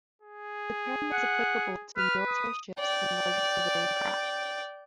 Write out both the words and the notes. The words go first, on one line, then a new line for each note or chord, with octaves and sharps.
The term is applicable to military ships and larger civilian craft.
G#4
F#5
B4 F6
D#6
D5 G5